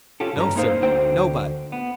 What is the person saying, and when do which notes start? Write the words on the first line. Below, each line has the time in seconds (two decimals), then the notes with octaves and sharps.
"No, sir, nobody."
0.20 C#4 F4 G4 A4
0.36 G2 C#4 A#5
0.56 G#3 A#3 D#4 C5 F5
0.82 D2 D3 C5 G5
1.72 B3